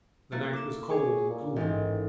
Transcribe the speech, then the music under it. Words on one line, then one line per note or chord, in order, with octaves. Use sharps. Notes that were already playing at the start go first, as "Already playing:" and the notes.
The night was cold and gloomy.
A3 A#3 E4
D6 E7
G#4 C#5 C#6 D6
A#2
A1 G#2 D#3